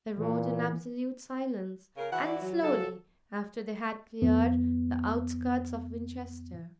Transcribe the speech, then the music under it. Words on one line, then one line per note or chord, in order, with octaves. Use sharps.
They rode in absolute silence, and slowly after they had cleared the outskirts of Winchester.
A#2 E3
C#3 A#4
E3 F#4 F#5
D5
F#3
F#2 C#3 F#3 A4
F2 B3